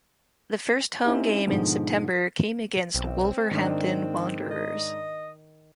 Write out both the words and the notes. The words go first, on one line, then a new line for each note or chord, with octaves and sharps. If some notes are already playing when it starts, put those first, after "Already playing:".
The first home game in September came against Wolverhampton Wanderers.
C4 C#4 D#4 E4 G4
G#2 B2 D3 D#3 F3 G#3
B1 C4
G#2 D#3 D4
D#5